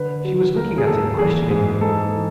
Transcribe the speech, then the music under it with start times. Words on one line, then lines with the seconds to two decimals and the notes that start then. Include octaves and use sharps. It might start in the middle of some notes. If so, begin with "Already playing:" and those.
She was looking at him questioningly.
Already playing: D3 B4
0.25 F#3
0.55 D#2 A#4
0.78 G#4
0.87 D#2 A4
1.19 E3 G#4
1.50 G#2 G#4
1.81 G#2 A4
2.13 E3